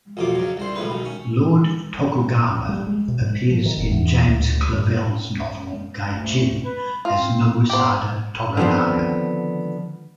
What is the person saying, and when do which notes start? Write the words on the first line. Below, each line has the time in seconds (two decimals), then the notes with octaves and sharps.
Lord Tokugawa appears in James Clavell's novel "Gai-Jin" as Nobusada Toranaga.
0.17 A1 F2 B2 F3 D6
0.36 C#3 F#3
0.57 C2 D4 C5
0.76 A#1 A2 C#3 B4
0.90 B1 D#3
1.05 C#4
2.69 G3
2.87 G#3
3.08 B2
3.21 G#2
3.51 F3
3.65 D#3
3.77 F1
3.91 E2
4.27 D2
4.73 G2
6.09 D2
6.64 B4
7.05 C4 F4
7.70 B3 G4 C5
8.57 D3 D#3 F3 B3 C4